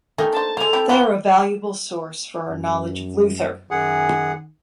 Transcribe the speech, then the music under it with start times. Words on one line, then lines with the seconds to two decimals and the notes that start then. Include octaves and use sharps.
They are a valuable source for our knowledge of Luther.
0.18 A3 A#3 D#4 G5 G#5
0.33 D4 C5 A5
0.57 G#3 A#3 A4 C5 G#5 F7
0.73 C4 E4 G4
0.89 E3 A#3 F4 B4 F5 G7
2.49 F#2
3.71 F#2 D#3 G#4 F#5